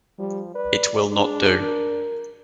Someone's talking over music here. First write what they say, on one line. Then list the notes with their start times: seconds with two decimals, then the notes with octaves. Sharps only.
It will not do.
0.19 F3 G3
0.55 B4 D5
1.12 D4 G#4
1.63 A#4